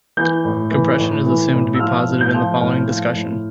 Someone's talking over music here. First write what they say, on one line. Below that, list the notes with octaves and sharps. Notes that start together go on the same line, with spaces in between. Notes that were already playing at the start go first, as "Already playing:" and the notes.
Compression is assumed to be positive in the following discussion.
E3 G6
A2
E3
A2
E3
A2
E6
F3 F6
A2
G6
F3
A2 F6
F3
A2